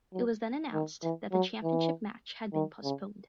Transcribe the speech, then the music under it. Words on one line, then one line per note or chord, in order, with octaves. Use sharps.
It was then announced that the championship match had been postponed.
F#3
D#3
E3
F#3
E3
D#3
C#3